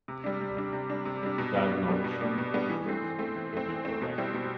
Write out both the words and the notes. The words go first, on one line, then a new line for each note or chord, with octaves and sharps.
That notion proved to be correct.
C3
G3 D4
C3
G3 D4
C3
G3 D4
C3
G3 D4
B2
G3 B3 D4
B2
G3 B3 D4
B2
G3 B3 D4
B2
G3 B3 D4
E3
A3 C4
E3
A3 C4
E3
A3 C4
E3
A3 C4
B2
G3 C4 E4
B2